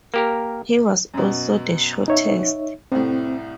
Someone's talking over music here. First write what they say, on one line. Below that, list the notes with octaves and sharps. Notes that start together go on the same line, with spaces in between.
He was also the shortest.
A#3 G4 A#4
F#2 B2
D#4 C#5 E5
C2 A2 C4